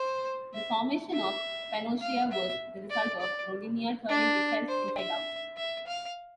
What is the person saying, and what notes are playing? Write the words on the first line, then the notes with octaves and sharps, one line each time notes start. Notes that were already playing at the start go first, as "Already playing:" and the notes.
The formation of Pannotia was the result of Rodinia turning itself inside out.
Already playing: C5
E5
E5
F5
E5
D5
D5
D4
C5
E5
E5
F5